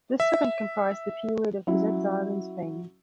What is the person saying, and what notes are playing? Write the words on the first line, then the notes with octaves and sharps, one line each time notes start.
The second comprised the period of his exile in Spain.
E5
F#3 C#4 E4